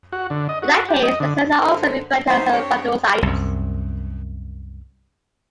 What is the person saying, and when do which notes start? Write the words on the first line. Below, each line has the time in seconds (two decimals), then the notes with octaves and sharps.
In that case the cells are also referred to as "vanadocytes".
0.12 F#4
0.30 D3
0.49 D#5
0.62 F#4
0.76 F#4
0.89 G4
1.03 D#5
1.20 D3
1.61 D3 G#3 A#3 C4 A4 C5
2.28 F#3 D#4 E4 C5
2.53 C4 D4 G4 C#5
3.22 C2 F#2